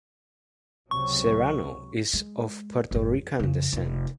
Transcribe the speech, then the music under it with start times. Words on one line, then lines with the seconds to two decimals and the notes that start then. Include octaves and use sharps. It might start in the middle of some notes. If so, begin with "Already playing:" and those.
Serrano is of Puerto Rican descent.
0.91 C#2 C3 F#3 C#6
2.14 G#3
2.91 G1 G#3
3.14 F2
3.40 F2 C#3
3.73 F1 F4